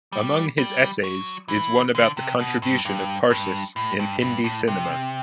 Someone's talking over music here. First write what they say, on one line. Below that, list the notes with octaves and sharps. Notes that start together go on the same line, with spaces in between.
Among his essays is one about the contribution of Parsis in Hindi cinema.
G3
G3
F#3
E3
D3
C3
B2
G2
G2
G2
A2
G2
G2
A2
C3